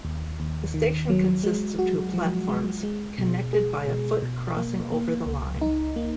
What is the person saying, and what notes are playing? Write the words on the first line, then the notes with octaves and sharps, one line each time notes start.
The station consists of two platforms, connected by a foot crossing over the line.
D#2
D#2
D#3
F#3
G#3
F#4
F3
G#3
G#3
B2
G#4
B2
B2
A#3
A#3
C#2
D#4
A#3